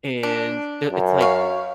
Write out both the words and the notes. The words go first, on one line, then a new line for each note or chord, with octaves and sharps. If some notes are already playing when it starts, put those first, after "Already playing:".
and they'll it's like,
D4
F#2
C#5 F5